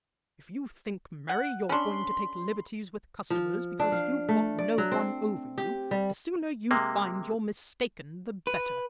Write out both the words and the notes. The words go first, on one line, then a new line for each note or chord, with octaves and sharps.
"If you think, Mary, you're going to take liberties with customers because you've got no one over you, the sooner you find you're mistaken the better."
F#5
C#4 D4 B5 C6
F3
D4
F5
A3
D5
F#3
C4
G4
G3
C3 G#3 A#3
B4